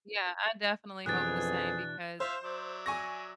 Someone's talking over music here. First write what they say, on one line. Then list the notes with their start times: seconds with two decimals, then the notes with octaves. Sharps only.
Yeah, I definitely hope the same, because
1.06 F2 B2 E3 D4 G#4 F#6 A6
2.20 F4 C5 E5 F5
2.44 F#3 D5 E5
2.86 G#5 C#6 A#6